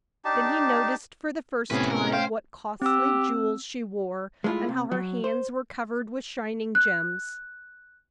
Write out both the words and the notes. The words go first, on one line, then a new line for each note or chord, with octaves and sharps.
Then he noticed for the first time what costly jewels she wore, and how her hands were covered with shining gems.
D4 D#4 G4 A5
A2 C3 B3 C#4 G#4 B4
A#4
C5 F5 G5
C4 G4 E6
G#3 A3 C#4 E4 F4
C3
F#3
C5
F#6